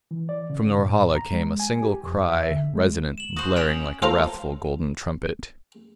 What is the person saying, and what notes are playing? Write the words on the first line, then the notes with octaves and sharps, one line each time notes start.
From Norhala came a single cry--resonant, blaring like a wrathful, golden trumpet.
E3
D5
C#3
A2
A#5
G#3
G#5
G4
F2
E5
D3
G#3
E7 F#7
F#4 C5 D#6 F#7
C#4 F#5 G5 F7
F4 A4 C5 F5 A#5